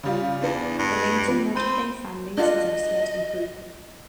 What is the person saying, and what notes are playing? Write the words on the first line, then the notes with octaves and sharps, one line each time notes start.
The link to modern day families is as yet unproven.
C#3 G3 F4
E2 B3 D4
G2
F3 B3
C4 B5 G6 D#7
D4 F4 D#5 F#5